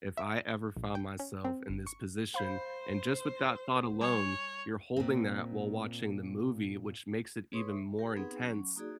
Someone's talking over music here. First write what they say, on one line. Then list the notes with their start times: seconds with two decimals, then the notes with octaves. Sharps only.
if I ever found myself in this position" and just with that thought alone, you're holding that while watching the movie, which makes it even more intense.
0.17 E5
0.77 A#1
0.95 G5
1.20 C#4
1.45 C4
1.69 G1
1.87 C#6
2.34 C5 F5 B5 G6
4.00 G3 C#5 G#5
4.97 A#2 C4
7.52 G#4 B4 C#5 C6 C#6 D#6
7.69 E5
7.97 G4 A#4 F5
8.16 B3 C4 D#4 G#4 B4 F#5
8.40 F#3 C#4
8.76 A#3 D#4 F#4 G#4 D5